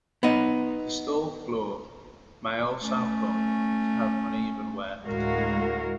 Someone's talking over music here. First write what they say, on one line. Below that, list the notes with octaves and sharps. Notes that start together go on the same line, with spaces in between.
The stall floor may also come to have uneven wear.
B3 D#4
A3 C#4
D2 A2 G#3 F#4 A#4 F5